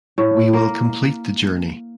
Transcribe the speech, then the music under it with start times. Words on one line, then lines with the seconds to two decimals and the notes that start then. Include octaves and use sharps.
We will complete the journey.
0.18 A2
0.53 A#3